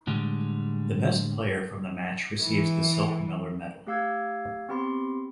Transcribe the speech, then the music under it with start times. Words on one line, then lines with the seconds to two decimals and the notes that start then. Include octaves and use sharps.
The best player from the match receives the Silk-Miller Medal.
0.07 A2 D3 G3 G#3
2.43 E3
3.87 A3 G4 F5 E6 G#6
4.69 B3 C4 G4 B5 C6